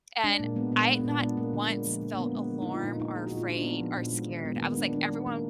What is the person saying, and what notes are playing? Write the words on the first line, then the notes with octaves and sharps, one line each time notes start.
and I not once felt alarm or afraid or scared, I was like, everyone
G#3 D4
A#2 A#3
G#3 B3
A#2 B3
G#3 A#3
B3
A#2
D4
G#3 B3
A#2 A#3
D3
G#3
F3
D3
A#3
D3 B3
G#3
F3
D#4
D3
F4
A#2 D#4
A#3 D#4
F3 G#4
F#4
A#2
F4
A#2 D#4
D4
A#3 B3
F3
A#2
G#3
D#3
G#3 B3
A#3
D#3
B3
G#3 D4
D#3 D4
G#3
D#3 A#3